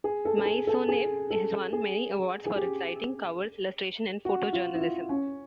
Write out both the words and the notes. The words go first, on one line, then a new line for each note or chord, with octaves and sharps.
"Maisonneuve" has won many awards for its writing, covers, illustration and photojournalism.
G#4
A4
A4
G#4
A4
G#4
A4
G#4
G#4
G4
F#4
F4
E4
F4
C#4